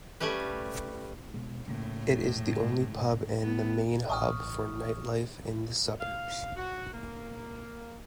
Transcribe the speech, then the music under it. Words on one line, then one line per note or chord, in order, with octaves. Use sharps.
It is the only pub and main hub for nightlife in the suburb.
G3 A3 C#4 G4 B4
B2 G#3
A2 C#3 A#3
E1 A#3
G#2 C#3
B3
A1 C#6 D#6 F6
F5
F#4
A#3